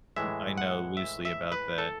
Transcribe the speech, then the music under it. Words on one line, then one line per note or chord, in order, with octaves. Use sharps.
I know loosely about that.
A2 E3 G#3 E5
F#5
E5
E5
B4
A4